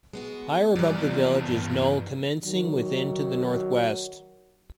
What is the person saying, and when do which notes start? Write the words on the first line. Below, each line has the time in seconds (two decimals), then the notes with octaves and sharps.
Higher above the village is Knowle commencing within to the northwest.
0.13 G#3 B3 F#4
0.75 F#2 G3 D5
0.96 E2 F3
1.47 G2
2.43 D#3 F#3